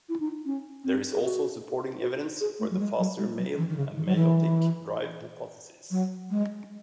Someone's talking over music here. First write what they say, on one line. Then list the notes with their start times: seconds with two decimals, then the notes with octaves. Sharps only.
There is also supporting evidence for the faster male and meiotic drive hypotheses.
0.09 E4
0.20 D#4
0.45 C#4
0.84 C4
1.12 G#4
1.23 F#4
2.02 F#4
2.40 G#4
2.60 A3
2.71 F#3
2.80 G#3
2.99 F#3
3.19 G#3
3.38 F#3
3.57 E3
3.69 D#3
3.77 C#3
3.96 D#3
4.06 F#3
4.16 E3
5.91 F#3
6.30 G#3